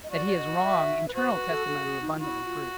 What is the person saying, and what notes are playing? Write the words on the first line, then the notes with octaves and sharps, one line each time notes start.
That he is wrong internal testimony abundantly proves.
D#5
F#4 D5
D5
D#5
F5
E5
B4
F#4 C5
B4
A4
A4
A4
G#4
D#4
F4
E4 F#4
F4